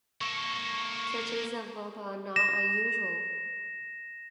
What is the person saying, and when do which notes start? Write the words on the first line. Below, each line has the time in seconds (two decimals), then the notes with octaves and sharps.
Catches above are not unusual.
0.21 A#3 A4 C#6
2.36 A#6 E7